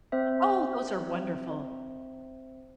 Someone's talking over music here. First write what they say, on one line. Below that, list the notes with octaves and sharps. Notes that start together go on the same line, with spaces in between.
Oh, those are wonderful.
C4 C5 E5